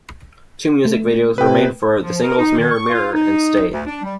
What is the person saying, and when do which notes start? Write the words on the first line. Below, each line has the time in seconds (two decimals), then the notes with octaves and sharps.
Two music videos were made for the singles "Mirror Mirror" and "Stay".
0.85 A3
1.38 C3 B4 G5
2.03 F3
2.23 A#4
2.39 D#4
2.58 D#3
2.71 C#6
2.90 F4
3.13 D#4
3.73 D2
3.87 D4
4.03 G3